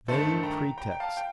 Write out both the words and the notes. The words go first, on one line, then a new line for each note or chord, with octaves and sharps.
Vain pretext!
G2 D#3 A3 A4 C5
G5 A#5
G5 A#5
G5
F5 A5
G5